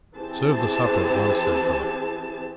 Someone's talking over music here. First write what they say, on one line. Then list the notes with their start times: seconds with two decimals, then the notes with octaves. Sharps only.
"Serve the supper at once," said Philip.
0.14 E3 C4 G4 G#4 A5